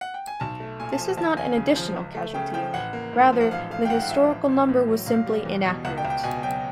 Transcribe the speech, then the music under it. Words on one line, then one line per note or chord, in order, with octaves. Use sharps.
This is not an additional casualty; rather the historical number was simply inaccurate.
F#5
G5
G#5
B1 A5
A3
A#2 G#5
A5
F3
D#2 A5
D#2 G#5
C#3
F3
C#2
A3
C#3 G5
F3 G5
A1 F#5
A#3
G#2
F3
F#5
A1 F5
A3 F5
G5
G#2 F#5
F5
F3 E5
A1
A1
A2
F#3
E1 F5
G3
E2
B2
C#2 F#5
G5
C#2
G5
B2 G#5
F#3 G5